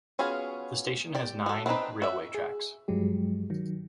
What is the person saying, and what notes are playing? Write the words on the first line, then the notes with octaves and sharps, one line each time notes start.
The station has nine railway tracks.
B3 C#4 F4 F#4 G#4
G4 D5
F#4 A4
B3 C4 D4 D#4 B4
F#4 E5
G#4
G2 F3 F#3 G#3 G4
D#3 F#3